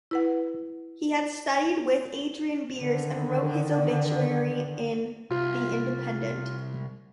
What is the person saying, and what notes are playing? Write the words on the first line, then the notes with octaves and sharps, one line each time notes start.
He had studied with Adrian Beers and wrote his obituary in "The Independent".
E4 B4 F#5
D3 D#3
C2 F4